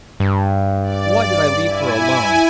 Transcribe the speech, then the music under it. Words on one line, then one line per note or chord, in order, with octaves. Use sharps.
Why did I leave her alone?
G2
D5
E4 G#5